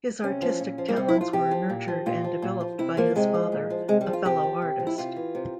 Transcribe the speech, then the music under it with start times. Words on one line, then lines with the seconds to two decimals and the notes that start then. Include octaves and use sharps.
His artistic talents were nurtured and developed by his father, a fellow artist.
0.23 C3 C#4
0.42 F3
0.60 A#2
0.78 F3
0.88 A#3
0.96 C3 C4
1.08 E4
1.15 F3
1.21 F4
1.33 C3 G4
1.51 F3
1.69 A#2
1.88 F3
2.06 A#2 F4
2.24 F3
2.42 A#2
2.61 F3
2.79 C3 E4
2.97 F3 A#3
3.16 C3 G#3
3.34 F3
3.52 A#2
3.70 F3
3.88 C3 G#3
4.01 G3
4.06 F3
4.13 F4
4.25 C3 G4
4.43 F3
4.62 C3
4.80 F3
4.87 E4
4.98 C3 F4
5.16 E3
5.35 C3